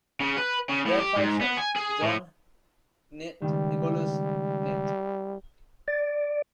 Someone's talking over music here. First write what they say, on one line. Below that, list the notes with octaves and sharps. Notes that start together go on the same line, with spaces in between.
They had five sons, John, Knt., Nicholas, Knt.
C#3
B4
C#3
A2
G4
G#2
B3
G#5
G#4
A2
C#2 F#2 D#3 G3
D5